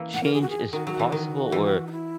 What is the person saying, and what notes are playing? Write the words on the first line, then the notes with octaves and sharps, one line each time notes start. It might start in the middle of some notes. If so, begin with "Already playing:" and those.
"Change is possible?" Or,
Already playing: E3 A#3 C#4
F#5
A#4
G#4
F#4
G#4
D#3 F#4
F#3 G#4
F#4
E3
D#3
E3
D#4
E4